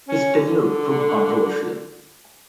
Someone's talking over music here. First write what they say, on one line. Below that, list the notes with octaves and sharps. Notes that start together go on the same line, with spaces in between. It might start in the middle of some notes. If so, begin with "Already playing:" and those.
His tenure proved controversial.
C#4
D3